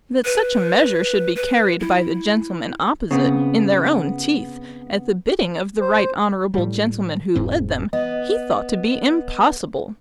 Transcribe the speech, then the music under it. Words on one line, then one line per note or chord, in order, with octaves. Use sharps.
That such a measure should be carried by the gentlemen opposite, in their own teeth, at the bidding of the right honourable gentleman who led them, he thought to be impossible.
B4
B4
E4
C#3 B3 C4
C5
A2 G3
E1 G#2 C4
B3 D#5